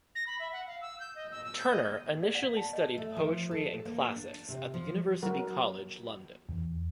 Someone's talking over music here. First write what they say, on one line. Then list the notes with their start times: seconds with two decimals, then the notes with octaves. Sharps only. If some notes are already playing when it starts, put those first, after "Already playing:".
Turner initially studied poetry and classics at the University College London.
0.15 A#6
0.27 B5
0.40 E5
0.53 F#5
0.67 F5
0.81 E6
1.00 G6
1.15 D#5
1.32 E6
1.44 E6
1.59 G6
1.70 D#5
2.23 D5
2.35 F#5
2.57 A5
2.73 D#5
2.98 A3
3.16 F3
3.51 A4
3.85 A#3
4.16 D4
4.49 C3
4.74 F3
5.23 F#3 F#4 A#4
6.49 E2